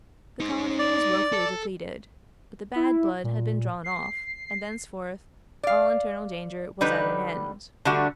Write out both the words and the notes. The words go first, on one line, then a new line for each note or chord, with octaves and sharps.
The colony was wofully depleted; but the bad blood had been drawn off, and thenceforth all internal danger was at an end.
D#4 C5
D5
A4
E4
A#2
C7
D5 F5
D3 G3 D#4 B4
D3 G3 A3 D4 F#4